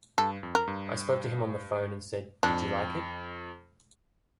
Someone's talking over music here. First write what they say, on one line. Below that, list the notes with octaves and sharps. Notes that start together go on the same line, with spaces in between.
I spoke to him on the phone, and said, 'Did you like it?
G2 A4
F2
A#4
G2
F2 D4